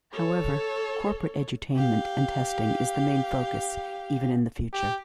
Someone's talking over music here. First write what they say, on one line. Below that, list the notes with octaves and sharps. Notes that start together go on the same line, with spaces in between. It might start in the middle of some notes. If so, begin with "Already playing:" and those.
However, corporate edutainment and testing is the main focus even in the future.
A4 C#5
G4 F5
G4